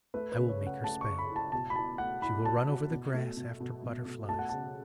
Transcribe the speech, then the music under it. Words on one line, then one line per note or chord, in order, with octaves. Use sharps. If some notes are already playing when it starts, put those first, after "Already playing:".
I will make her spell. She will run over the grass after butterflies.
A3 B4
B4
C#3
C#5
C#3
F#5
A3 A5
C#6
C#3
B5
E4
A5
B2 A5
B5
E4 A5
A3 F#5
E4 B5
F#3 A5
F#3
B2
A3
B2
B2
B2
B2
A3 A5
F#5
C#3 A5